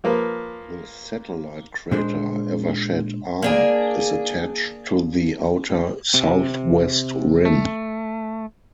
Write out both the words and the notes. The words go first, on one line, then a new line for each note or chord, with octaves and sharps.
The satellite crater Evershed R is attached to the outer southwest rim.
F3 A#3 A#4 B4
A#2 G#3 D4 C5
A#3 D4 G#4
C3
A3